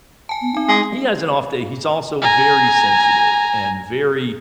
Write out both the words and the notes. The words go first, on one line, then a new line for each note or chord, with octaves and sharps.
He has an off day, he's also very sensitive and very
G#5 A5
B3
C4 D#4 G#5
G#3
G#5 A#5